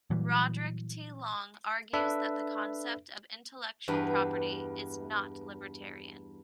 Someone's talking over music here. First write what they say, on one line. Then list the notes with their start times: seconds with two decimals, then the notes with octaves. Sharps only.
Roderick T. Long argues that the concept of intellectual property is not libertarian.
0.10 A#2 E3 F#3 G3
1.93 D4 A4 B4 E5
3.88 E2 G2 B4